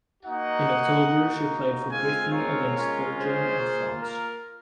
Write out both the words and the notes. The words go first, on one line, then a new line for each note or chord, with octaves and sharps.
In October she played for Britain against Belgium and France.
A#3 D#4 F#4 D#5 F#5
A#3 D#4 F#4
G#3 C4 F4 F5 G#5
A#4 C#5
G#3 C#4 F4
G#4 C5
A#3 F4
A#4